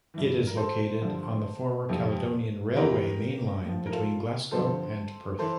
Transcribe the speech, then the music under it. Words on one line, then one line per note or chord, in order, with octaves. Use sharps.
It is located on the former Caledonian Railway main line between Glasgow and Perth.
G2 E3
A#4
A4 C5
G2 D3 F3
F2 C3 F3
E2 E3 G4 A#4
A2 F3
A#4
F4 A4
G2 D3 F3 A4 C5
E3 A4 C5